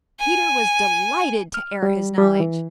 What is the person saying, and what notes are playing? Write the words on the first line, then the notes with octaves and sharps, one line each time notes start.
Peter was delighted to air his knowledge.
G#5
F6
G3
G3
E3